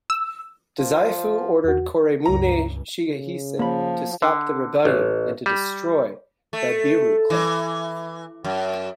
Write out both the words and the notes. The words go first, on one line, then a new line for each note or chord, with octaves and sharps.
Dazaifu ordered Koremune Shigehisa to stop the rebellion and to destroy the Abiru clan.
E6
F3
E2 F#4
C#2 G2 A#5
C#3
F3 A#3 B5
D3
A1
G3
A3
E3
F#2